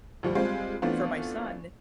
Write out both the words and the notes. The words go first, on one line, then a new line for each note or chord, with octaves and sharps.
for my son,
D2 F3 G3
G3 G#3 C4 F4
E3 A3 B3 C4 D4 F4